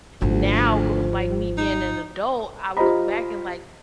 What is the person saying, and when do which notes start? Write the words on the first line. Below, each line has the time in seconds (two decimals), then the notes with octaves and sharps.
now, gr like me being an adult, I look back and like,
0.22 G#1 D2 F3
1.58 D#4
2.77 F4 G4 C5 D#5 A#5 B5